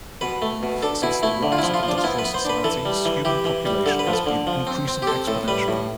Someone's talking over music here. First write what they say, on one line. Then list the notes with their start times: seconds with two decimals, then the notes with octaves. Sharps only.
Since the rise of industrial societies, human population has been increasing exponentially.
0.21 B2 B4
0.42 A3
0.63 B2
0.83 D4 A4
1.02 B2 E4
1.23 A3 E4
1.43 D3
1.52 F4
1.59 F3 E4
1.74 F4
1.83 F3
1.88 D4
1.98 F4
2.04 B3 E4
2.19 B4
2.25 B3
2.34 C5
2.45 D4 B4
2.64 E3 A4
2.85 G3
3.05 E3
3.25 E3 G4
3.45 E3
3.65 G3
3.86 D3 A4
3.99 B4
4.07 F3
4.13 A4
4.26 D3
4.47 F3
4.67 C4
4.88 C4
5.02 G4
5.07 C4 A4
5.28 A2 A4
5.48 G3 B4
5.68 A2